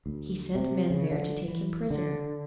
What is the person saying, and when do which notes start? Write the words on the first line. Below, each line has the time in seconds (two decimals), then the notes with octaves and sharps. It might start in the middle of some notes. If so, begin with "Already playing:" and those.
He sent men there to take him prisoner.
0.06 D2
0.55 C3
0.90 C#3
1.12 D3
1.48 E3
1.91 D3